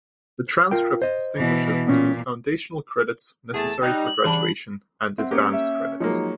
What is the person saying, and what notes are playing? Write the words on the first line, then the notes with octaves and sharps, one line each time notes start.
The transcript distinguishes between "foundational credits" necessary for graduation and "advanced credits".
F4 A#4 G5
C5 D#5
B2 E3
A#2 B3 C#4
E2 A3 G#4 A5
G3 D#4 F#6
F#7
C#3 E3 G3 D4 A5 B5
C4 E5 F#5
A#3 B3 C#4 G4 C#7
E5
F3 F#3 G#3 A#3 D#4 C#5